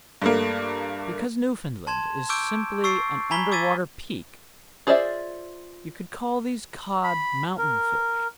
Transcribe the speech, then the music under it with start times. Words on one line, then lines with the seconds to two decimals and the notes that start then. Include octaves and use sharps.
Because Newfoundland is simply an underwater peak, you could call these cod mountain fish.
0.22 G2 A3 A#3
1.87 A5 C6 G#6 E7
2.29 C#6 D6 E6 G6 D7
2.84 C#6 E6 A6 C7 D7
3.31 G#5 A#5 B5 G#6 B6 G7
3.52 D6 E6 G#6 A6 B6 D#7
4.87 F4 G#4 C5 D5 E5
7.04 B5
7.58 A#4